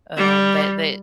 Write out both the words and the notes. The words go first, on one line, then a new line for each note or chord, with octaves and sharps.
um, that that
G3